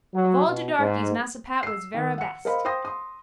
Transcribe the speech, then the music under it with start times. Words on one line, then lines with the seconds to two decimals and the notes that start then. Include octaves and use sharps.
Of all de darkies Massa Pat was verra best.
0.14 F#3
0.45 B2
0.79 G#2
1.63 E6 C7
1.94 D#3
2.18 F#5 C#7
2.45 A#4 C5 D#5 F5 B5
2.65 C5 G5 C6 D#6 A#6
2.85 C6 D#6